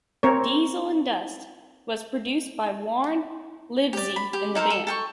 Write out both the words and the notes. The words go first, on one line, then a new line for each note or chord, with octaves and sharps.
"Diesel and Dust" was produced by Warne Livesey and the band.
C4 A#4 C#5
G4 D5
B5
G4
D#4 A4 A#4 C5
A4
A4 G5 C#6